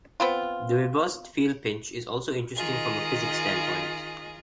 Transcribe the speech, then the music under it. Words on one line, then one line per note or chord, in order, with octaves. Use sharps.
The Reversed Field Pinch is also interesting from a physics standpoint.
B3 C4 F4
D#3 F4 G#4 D#5